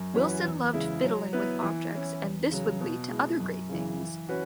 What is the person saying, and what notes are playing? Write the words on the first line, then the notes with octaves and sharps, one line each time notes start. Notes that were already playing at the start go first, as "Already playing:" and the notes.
Wilson loved fiddling with objects and this would lead to other great things.
Already playing: F#2
E3 C#4 F#4 B4
E2
C#3 G#3 E4
F#3
B3 E4 B4
E3
C#4 E4
E2
C#3 F#3
B2
G#3 E4
F#2
C#3 E3
E3
C#4 F#4 B4